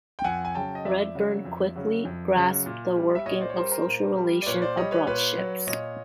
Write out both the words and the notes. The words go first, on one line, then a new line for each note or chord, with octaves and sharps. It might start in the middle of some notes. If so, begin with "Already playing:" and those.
Redburn quickly grasps the workings of social relations aboard ship.
G5
F2 F#5 G#5
G#5
C#3 F#3 G5 A5
D#5
F2 D5 E5
C#3 F#3
F2
C#3 F#3
F2
C#3 F#3
A#2
G3
E5
A#2 C#5 D#5
C5 D5
C#5
G3 A#4 C5
A#4 C5
A#2
G3
D5
A#2 B4 C#5
C5 D5
G3 C#5 D#5
B4 C#5
A#2 B4 C#5
F#3
A#2 C#5 D#5